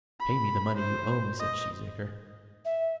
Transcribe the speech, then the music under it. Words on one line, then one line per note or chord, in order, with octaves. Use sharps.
"Pay me the money you owe me," said Cheesacre.
B5
C5
D#5
E5